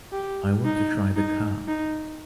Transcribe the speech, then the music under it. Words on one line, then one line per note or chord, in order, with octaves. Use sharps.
I want to try the car.
G4
D#4
D#4
D#4